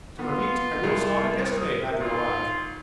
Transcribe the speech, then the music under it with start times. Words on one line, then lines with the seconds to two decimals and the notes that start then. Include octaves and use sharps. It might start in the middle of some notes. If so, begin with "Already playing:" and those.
To repeat, I would have started yesterday, had you arrived.
0.19 B3 F4
0.83 C2 A#4
1.57 D#6
2.01 G#1 F4